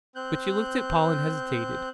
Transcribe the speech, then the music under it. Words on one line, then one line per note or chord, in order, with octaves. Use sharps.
But she looked at Paul and hesitated.
C4 F#6 G6